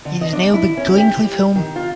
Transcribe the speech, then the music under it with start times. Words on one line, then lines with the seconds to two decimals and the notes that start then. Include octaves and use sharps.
It is now the Glencliff Home.
0.05 D3
0.21 D#5
0.33 D4
0.54 E4
0.77 C#4
0.97 G4
1.56 D#3
1.76 F4